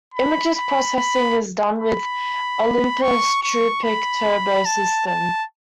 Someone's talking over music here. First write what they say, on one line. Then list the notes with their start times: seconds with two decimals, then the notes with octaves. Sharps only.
Image processing is done with Olympus' TruePic Turbo system.
0.14 B5
0.55 B5
0.96 B5
1.79 B5
3.02 C#6
3.43 C#6
3.83 B5
4.66 A5
5.07 A5